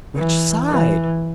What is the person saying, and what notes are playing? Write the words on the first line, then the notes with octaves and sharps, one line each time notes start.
"Which side?"
E3
E3